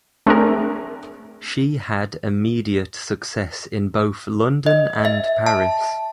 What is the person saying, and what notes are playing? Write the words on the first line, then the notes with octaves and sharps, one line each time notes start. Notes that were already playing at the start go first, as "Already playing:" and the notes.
She had immediate success in both London and Paris.
A3 C4 D4 G#4 A#4
D#5
E5
A5